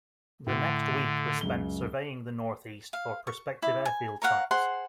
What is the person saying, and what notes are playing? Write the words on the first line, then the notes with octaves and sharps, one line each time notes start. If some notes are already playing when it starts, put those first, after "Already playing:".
The next week was spent surveying the Northeast for prospective airfield sites.
A2 D3
C#2 F#2 G7
F5
C#6
E4 D6
G#5
A#4 C#5 F5 F#5
G#4 C5 F#5 C6